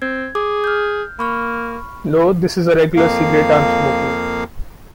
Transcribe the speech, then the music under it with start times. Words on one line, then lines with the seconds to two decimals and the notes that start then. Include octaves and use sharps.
"No, this is a regular cigarette I'm smoking".
0.02 C4 G#6
0.35 G#4 D6
0.64 F6 G6
1.19 A#3 B5 C#6 F6
2.97 F2 A#3 F5